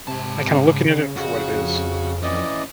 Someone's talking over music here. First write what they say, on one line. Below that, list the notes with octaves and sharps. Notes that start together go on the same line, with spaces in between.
I kinda looking at it for what it is.
G#2 C3 A5
C#3
F2 C#3 F#4
E3 C#4 E4 D5 D#5